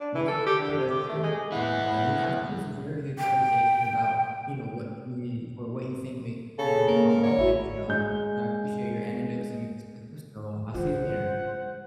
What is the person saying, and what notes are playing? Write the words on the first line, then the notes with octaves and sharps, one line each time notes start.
Yeah, yeah, that's true, um, but, you know, I thought this was a very good conversation about, you know, what community or what you think makes a community feel more welcoming, so, you know, I appreciate your anecdotes and your perspective, so I'll see you later.
D4
E3
A4
G4
D3
C3
G4
A3
G#3
B3 E4 F#5
G5
C#3 A4
A#3 A#4
A#4
D3 C#5
A1 E4 F#4
G#3 G6
E3 G#3 F4 C5 F#5